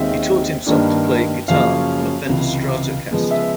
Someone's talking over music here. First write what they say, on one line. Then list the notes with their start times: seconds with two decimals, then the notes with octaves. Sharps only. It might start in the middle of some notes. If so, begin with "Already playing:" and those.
He taught himself to play guitar on a Fender Stratocaster.
Already playing: D#2 D#3 G#3 C4 E5
0.66 G2 D#3 G3 A#3 D4
1.48 F#2 C#3 F3 A#3 C#4 F5
2.29 C#2 C3 E3
3.11 C#3 F3 G#3 B3
3.31 E5